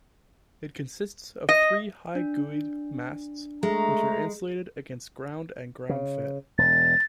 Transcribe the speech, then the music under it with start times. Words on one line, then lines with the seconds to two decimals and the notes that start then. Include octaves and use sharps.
It consists of three -high guyed masts, which are insulated against ground and ground-fed.
1.49 D#5
2.15 D4
3.63 G#3 A3 A#5
5.89 C#3
6.58 E1 A6